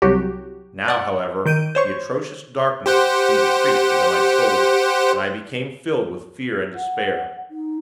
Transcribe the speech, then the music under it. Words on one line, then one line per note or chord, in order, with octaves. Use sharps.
Now however the atrocious darkness seemed to creep into my soul, and I became filled with fear and despair.
C2 F#3 F#4 G4
D5 F#5
D#3 G6 D7 D#7
C5 C#5 C#6
G4 C5 F#5
F#5
D#4